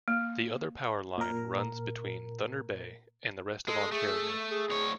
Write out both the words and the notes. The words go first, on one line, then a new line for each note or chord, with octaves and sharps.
The other power line runs between Thunder Bay and the rest of Ontario.
A#3
A#2 A#4
G#3 A4
A3 G#4
G#4
D2 C#5